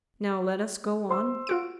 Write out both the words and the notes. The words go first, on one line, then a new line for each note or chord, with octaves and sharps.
Now let us go on ...
C5 C6 E6
F4 F#4 D7